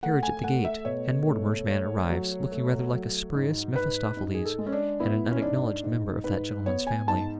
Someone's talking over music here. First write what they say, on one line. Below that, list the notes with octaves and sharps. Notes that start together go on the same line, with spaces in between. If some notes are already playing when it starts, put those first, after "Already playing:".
A carriage at the gate, and Mortimer's man arrives, looking rather like a spurious Mephistopheles and an unacknowledged member of that gentleman's family.
A3 F#5
G#5
A3 F#5
E5
B2 C#5
A3
A3 C#5
F#3
A3
F#3
G#2
G#2 B4
G#2
G#4
A4
G#3
C#4
D4
B3 E4
C#4
G#2 D4
G#2
G#2 B4
B3 C#5
G#5
G#2 A5